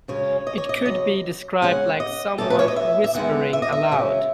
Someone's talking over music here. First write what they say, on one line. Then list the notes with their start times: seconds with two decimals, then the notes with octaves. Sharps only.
It could be described like someone whispering aloud.
0.08 F#2 C#3 G#3 C#4 C#5
0.47 D#5
0.58 C#5
0.69 D#5
0.85 F#2 C#3 F#3 D#5
1.62 C#3 G#3 C#4 F#5
2.00 D#5
2.38 E2 B2 A3 C#4 A4
2.50 B4
2.59 C#5
2.68 D#5
2.76 E5
3.04 E5
3.15 E2 D#3 G#3 B3 F#5
3.53 E5
3.62 D#5
3.72 E5
3.91 F#2 C#3 G#3 C#4